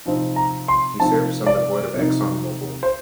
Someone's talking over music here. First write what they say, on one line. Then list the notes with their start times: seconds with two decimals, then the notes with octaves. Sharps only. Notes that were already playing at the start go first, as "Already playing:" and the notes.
He serves on the board of ExxonMobil.
0.05 C3 F3 C4 D#4
0.36 A#5
0.68 C6
0.99 C3 F3 C4 D#4 A5
1.46 D5
1.94 C3 F3 C4 D#4
2.83 C5